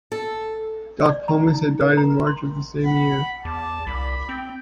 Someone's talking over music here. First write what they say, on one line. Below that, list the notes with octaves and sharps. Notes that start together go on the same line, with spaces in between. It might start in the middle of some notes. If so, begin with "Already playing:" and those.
Doc Pomus had died in March of the same year.
A4
D5
A#5
D#4
A#4
A#5
C6
F#5 B5
E2 A5 D6
C2 B5
C4 G5